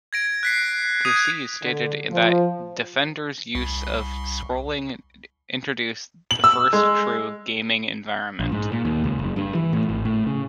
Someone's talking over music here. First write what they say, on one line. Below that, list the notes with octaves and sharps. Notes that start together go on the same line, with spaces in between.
Cuciz stated that "Defender"s use of scrolling introduce the "first true 'gaming environment'".
G#6 A#6 D7
F#6 B6 C7
F#6
D#6 F#6 G#6 D#7
D3
F3
C2
F#7
E6
G#3
A#1
G#2
A#2
D#2
C#2
F#1
G2
E3
A2
G#1
A2
C#3